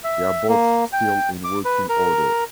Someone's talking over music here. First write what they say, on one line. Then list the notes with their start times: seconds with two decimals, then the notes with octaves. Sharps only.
They are both still in working order.
0.04 E5
0.49 A#3
0.93 G5
1.44 D6
1.65 B4
1.89 A#4